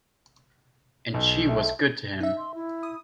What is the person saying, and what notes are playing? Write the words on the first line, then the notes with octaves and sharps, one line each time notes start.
And she was good to him.
B1
A3
D#4 E5
C6
E4
D#6